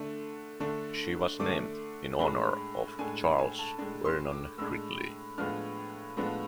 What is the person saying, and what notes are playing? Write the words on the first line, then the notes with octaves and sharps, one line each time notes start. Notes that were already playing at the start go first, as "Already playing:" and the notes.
She was named in honor of Charles Vernon Gridley.
Already playing: D3 A3 D4
D3 A3 D4
D3 A3 D4 D6
A2 G#3 D4 B5
A2 G#3 D4 G#5
G#5
A5
A2 G#3 D4
C6
D6
A2 G#3 D4 E6
A2 F3 G#3 B3 D4 F6
A2 F3 G#3 B3 D4